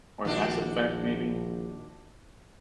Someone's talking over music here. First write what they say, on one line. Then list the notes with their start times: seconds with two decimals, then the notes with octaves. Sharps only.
Or Mass Effect, maybe.
0.25 A#1 D#3 D4 F#4